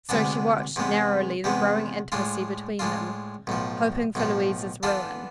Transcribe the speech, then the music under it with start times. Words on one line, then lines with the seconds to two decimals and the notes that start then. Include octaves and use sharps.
So she watched narrowly the growing intimacy between them, hoping for Louisa's ruin.
0.09 D2 C3 G#3 B3 D4
0.76 E2 C3 G#3 B3
1.44 E2 C3 G#3 B3
2.12 A2 G#3 D4 F4
2.79 A2 G#3 D4 F4
3.47 B1 A2 F3
4.15 B1 A2 F3
4.83 E3 B3 D4 F4 A4